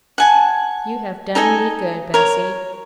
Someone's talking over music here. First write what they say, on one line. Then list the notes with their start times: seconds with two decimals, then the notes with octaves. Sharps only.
You have done me good, Bessy.'
0.18 F#5 G#5 A5
1.35 D#4 A4 D#5 G#5
2.14 A#4 C#5